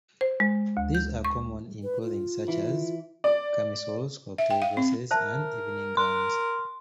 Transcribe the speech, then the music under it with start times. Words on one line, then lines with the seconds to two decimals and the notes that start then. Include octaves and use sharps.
These are common in clothing such as camisoles, cocktail dresses, and evening gowns.
0.21 C5
0.40 G#3
0.77 D2
0.95 G6
1.25 C#6
1.83 B4
2.02 F4
2.48 E3
3.24 D5
4.38 E5
4.50 G5
4.62 F5
4.77 C4
5.11 A#4 C5 E5 A5
5.97 A#4 C6